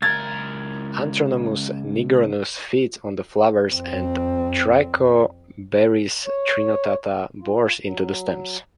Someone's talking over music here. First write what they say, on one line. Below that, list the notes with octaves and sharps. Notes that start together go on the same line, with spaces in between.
"Anthonomus nigrinus" feeds on the flowers, and "Trichobaris trinotata" bores into the stems.
C#2 A#4 G#6 A6
F2 C4
C#5
F4
F#3